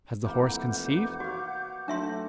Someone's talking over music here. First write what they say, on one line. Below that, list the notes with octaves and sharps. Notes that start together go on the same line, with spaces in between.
Has the horse conceived?
F1 E3 A#3 F#5 D6 G6
F#4 C#5 F5
F#3 A3 D4 E5 C6